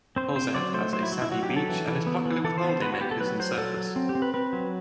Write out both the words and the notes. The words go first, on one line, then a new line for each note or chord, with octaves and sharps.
Polzeath has a sandy beach and is popular with holiday-makers and surfers.
C4 C5
C4 C5
F#3 D5
A3 C5
F#3 C5
E4
F#3
E4
F#3 F#4
G4
F#3
A4
E3
E3
B3
E3
E3 A4
C5
B3
C5
B3 B4
F#4
B3 G4
A4
F#3 B4
F#3 C5
F#3 A4
F#3
C4
G4
C4
B4
C4 B4
F#3